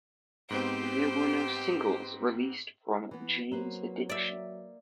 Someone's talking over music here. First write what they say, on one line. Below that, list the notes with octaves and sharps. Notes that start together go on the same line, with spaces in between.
There were no singles released from "Jane's Addiction".
G#2 B3 C4 G4 C5 G5
E3 B3
F#3 A#3 B4 C5
D5 E5